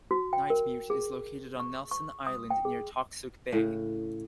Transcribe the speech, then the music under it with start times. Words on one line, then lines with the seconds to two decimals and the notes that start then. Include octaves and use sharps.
Nightmute is located on Nelson Island near Toksook Bay.
0.11 F#4
0.33 G5
0.50 A#4
0.90 G#4
1.60 C#6
1.91 C#6
2.27 D#6
2.50 G5
2.65 G#4
3.53 A2 C#3